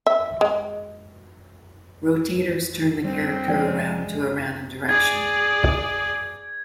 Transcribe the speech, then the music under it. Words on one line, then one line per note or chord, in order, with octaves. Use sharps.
Rotators turn the character around to a random direction.
E5
G#3
G3 C4
F3 G#3 D5 G5
G#4 D5 G#6